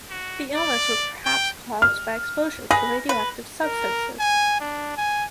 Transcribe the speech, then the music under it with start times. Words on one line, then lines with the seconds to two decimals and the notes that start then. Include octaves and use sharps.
The illness was perhaps caused by exposure to radioactive substances.
0.10 F#4
0.54 D5
1.25 G5
1.82 F6
2.71 G#4 B4 A#6
3.09 B4
3.63 A#4
4.19 G#5
4.61 D4
4.97 G#5